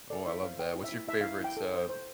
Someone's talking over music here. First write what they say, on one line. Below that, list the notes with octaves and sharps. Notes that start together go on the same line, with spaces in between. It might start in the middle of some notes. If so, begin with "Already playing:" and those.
Oh, I love that. What's your favorite, uh,
A4 D5
E4 E5
C5 F5
C5 G5
E4
E5
E4
E4 E5
E4 F5
E4 G5
A4
C5
C5